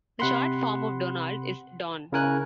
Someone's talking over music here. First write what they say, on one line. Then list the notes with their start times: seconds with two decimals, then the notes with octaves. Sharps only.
A short form of "Donald" is "Don".
0.20 C3 F#5 B5 C6
2.12 C#3 E4 A#4 G#5 F#6